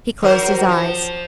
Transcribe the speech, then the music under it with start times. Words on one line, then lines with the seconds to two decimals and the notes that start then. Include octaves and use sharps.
He closed his eyes.
0.22 F#3 A#4 C5
0.68 F3